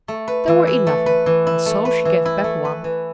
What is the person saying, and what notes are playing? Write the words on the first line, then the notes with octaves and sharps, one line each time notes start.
There were eleven, and so she gave back one.
A3
B4
E3
E4
A3
B4
E3
E4
A3
B4
E3
E4
A3
B4
E3